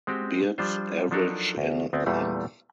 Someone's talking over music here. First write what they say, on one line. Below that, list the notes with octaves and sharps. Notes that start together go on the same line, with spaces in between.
Beards average in length.
G#3 C4 F#4 G4
F3 G3 D4 F4 C5
F3 F#3 D4 D#4 A4 A#4
D2
D2 B3 C4
E2 A#2 E3 G3 A3